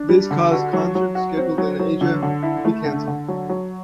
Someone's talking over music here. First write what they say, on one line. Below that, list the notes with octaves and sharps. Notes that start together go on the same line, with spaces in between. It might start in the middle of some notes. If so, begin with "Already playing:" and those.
This caused concerts scheduled in Asia to be cancelled.
Already playing: D4
G3
D3
F#4
F#3
F#3
F#4
C4
F#3
F#3
D3
D3
E4
A3
D3
D3
F#3
F#3